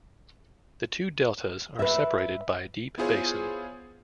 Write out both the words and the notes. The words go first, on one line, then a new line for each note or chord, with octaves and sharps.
The two deltas are separated by a deep basin.
B4 E5
B3 E4 F4 G#4 C5 C#5